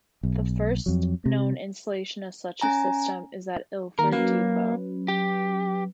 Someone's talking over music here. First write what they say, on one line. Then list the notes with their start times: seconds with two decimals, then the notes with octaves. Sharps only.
The first known installation of such a system is at Ilford Depot.
0.23 B1
0.86 F2 F#3
1.26 C3
2.61 C#4 G#5 A#5
3.99 D#3 A#3 A#4
4.12 F#3 A#3 C#4 B4
5.08 G4